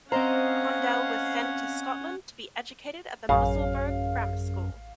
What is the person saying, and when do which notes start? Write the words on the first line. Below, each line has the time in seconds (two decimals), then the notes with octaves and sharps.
Condell was sent to Scotland to be educated at the Musselburgh Grammar School.
0.12 C4 C#4 C5 D#5 F5 F#5 A#5
3.29 A1 F#2 C#3 F5